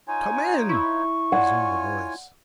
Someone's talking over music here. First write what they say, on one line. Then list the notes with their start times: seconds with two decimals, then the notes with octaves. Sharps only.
"Come in," resumed the voice.
0.08 D#4 F4 C#5 G#5
0.69 E4 C#6
1.32 F4 C#5 D5 F#5 G#5